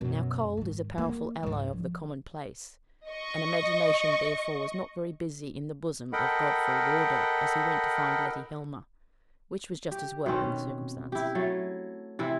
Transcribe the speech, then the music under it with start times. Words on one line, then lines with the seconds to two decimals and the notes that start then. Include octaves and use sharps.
Now cold is a powerful ally of the commonplace, and imagination therefore was not very busy in the bosom of Godfrey Wardour as he went to find Letty Helmer, which was just as well, in the circumstances.
0.01 F#2 B2
0.57 G#2 D#3
0.98 A#3
1.43 C#2 G#2
1.73 F3
3.08 D#5 C#6
6.13 A4 A#4 D#5 F#5 G5 B5
9.91 G4
10.26 B2 D#3 C4 C#4
11.12 E4 G4
11.35 F#3 A3
12.19 C3 E3 E4